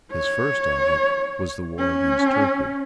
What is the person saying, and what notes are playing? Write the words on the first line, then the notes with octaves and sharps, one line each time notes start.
His first object was the war against Turkey.
C#5
C#4